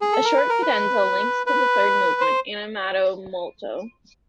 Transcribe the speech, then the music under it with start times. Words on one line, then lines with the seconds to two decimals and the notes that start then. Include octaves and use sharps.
A short cadenza links to the third movement, "Animato molto".
0.01 G#4
0.12 A4
0.25 A#4
0.37 B4
0.50 A#4
0.62 B4
1.46 B4
2.21 C5